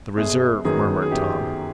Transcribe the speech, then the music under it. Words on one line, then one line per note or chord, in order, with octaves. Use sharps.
"The reserve," murmured Tom.
G1 G#4
F#2 D#3 F#3 B3 G#4
G#4
G1 G4